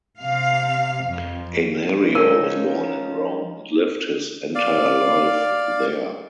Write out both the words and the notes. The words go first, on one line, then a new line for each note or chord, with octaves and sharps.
Anerio was born in Rome and lived his entire life there.
C3 F5
F2
F3 C#4 D#4 A#4
D5 F5